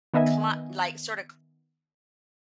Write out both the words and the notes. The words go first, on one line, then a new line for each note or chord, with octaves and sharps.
cla like, sorta
D#3 B3 D#5 E5 G#5